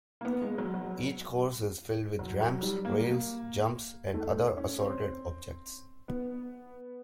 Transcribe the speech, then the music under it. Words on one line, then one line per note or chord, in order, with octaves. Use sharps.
Each course is filled with ramps, rails, jumps, and other assorted objects.
A#3
B3
G#3
F#3
F#3
F#3
F#3
G3
A#3
A3
C#4
C4
B3